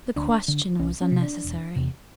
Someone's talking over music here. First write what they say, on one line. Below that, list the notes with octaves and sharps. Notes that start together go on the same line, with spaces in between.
The question was unnecessary.
D2 D4
D3
C2 C#4
C#4
C3
D4
E1
E2 C3